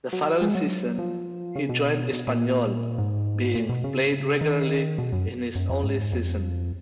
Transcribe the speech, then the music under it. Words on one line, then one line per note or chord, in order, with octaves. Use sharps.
The following season, he joined Espanyol, being played regularly in his only season.
F#3
G#3
F#3
F3
C#3
B2
B2
A#2
G#2
A#2
B2
C#3
D#3
B2
F#2
F#2
F2
G#2
F2